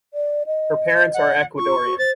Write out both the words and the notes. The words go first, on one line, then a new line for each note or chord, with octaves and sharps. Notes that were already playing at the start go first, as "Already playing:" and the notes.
Her parents are Ecuadorian.
D5
D#5
F#5
F4 C#6
F#4
C5 A6